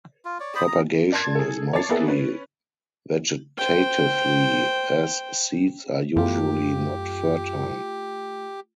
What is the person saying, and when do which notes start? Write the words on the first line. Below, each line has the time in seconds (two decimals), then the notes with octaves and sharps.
Propagation is mostly vegetatively as seeds are usually not fertile.
0.25 F4
0.40 C#5 D5
0.55 C5 D5 B5 D#6
0.67 A#5
1.12 D5 A5 C6 G#6 A6
1.35 G#4 A4
1.73 C#5 D5 A5 D6 A6 C7
1.89 A#3 B3 E4 G#4 A4
2.08 C#4 B4
3.58 C5 G5
6.16 F#2 A3 F4 G4